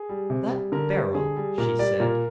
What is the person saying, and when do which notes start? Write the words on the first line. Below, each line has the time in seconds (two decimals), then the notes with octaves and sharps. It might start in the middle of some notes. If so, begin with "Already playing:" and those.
'That barrel!' she said.
Already playing: G#4
0.09 G3
0.30 C3
0.51 G3
0.72 D3 A#4
0.94 G3
1.15 D3 G#4
1.36 G3
1.58 A#2 A#4
1.79 G3 D5
1.99 A#2 A#4